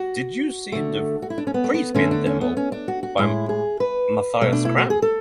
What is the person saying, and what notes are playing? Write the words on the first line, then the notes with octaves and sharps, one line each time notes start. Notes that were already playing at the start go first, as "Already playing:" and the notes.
Did you see the "Freespin demo" by Matthias Kramm?
Already playing: F#4
D3 A3
F#4
E4
D4
C#4
B3
A3
B3
D3 A3 C#4
D4
C#4
B3
C#4
D4
F#4
F#4
A2 G#3 E4
G#4
B4
B2 A3
D4
E4
F#4
G#4
A4